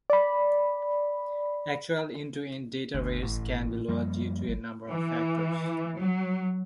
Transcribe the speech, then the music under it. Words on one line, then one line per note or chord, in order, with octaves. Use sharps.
Actual end-to-end data rates can be lower due to a number of factors.
D5 B5
G1 D2
A1 A2
F#2 F3 G3 A#3
G#1
E3
F#3